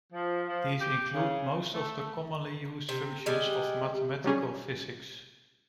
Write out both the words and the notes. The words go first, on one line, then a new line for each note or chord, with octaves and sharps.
These include most of the commonly used functions of mathematical physics.
F3
F3
G4
C#3
A3
C3
G3 G#3
F#3 G3 C#4 G#4